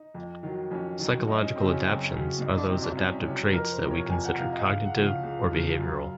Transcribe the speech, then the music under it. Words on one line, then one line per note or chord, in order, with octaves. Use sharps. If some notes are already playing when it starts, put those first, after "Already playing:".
Psychological adaptions are those adaptive traits that we consider cognitive or behavioral.
Already playing: D#4
F2
D#3 F#3
F2 C#4
D#3 F#3
F#2 D#4
C#4
C#3 F#3 C4
C#4
F#2 C4
C#3 F#3 C#4
C2 D#4
C3 F#3 C4
C2 C#4
C3 F#3 C#4
F2 A#4
C5
C3 F3
C#5
F2 G#5
F#5
C3 F3 F5
D#5
C#2 F5
F#5
C#3 F3
F5
C#2
C#3 F3
F#2